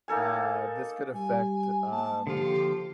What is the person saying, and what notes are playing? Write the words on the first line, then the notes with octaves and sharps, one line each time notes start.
uh, "This could affect, um
A#3 D#4 A4 G#5
G3 G#5
A#3 A5
D3 F3 F4 G4